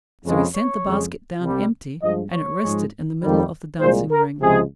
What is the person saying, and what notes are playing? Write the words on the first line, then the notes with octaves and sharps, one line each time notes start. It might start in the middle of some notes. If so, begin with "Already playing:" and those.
So he sent the basket down empty, and it rested in the middle of the dancing ring.
F2 C#3 G#3
C#5
F2 C#3 G#3
C2 C3 G3
G2 F3 G#3 D#5
C#5
G#2 F3 G#3
F2 D#3 G3
C2 A#2 G#3 C5
A#4
C#2 C3 F3 G#3 G#4